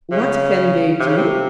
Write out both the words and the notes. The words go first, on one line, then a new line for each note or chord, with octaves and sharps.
What can they do?
C#3
C3
C#3
C3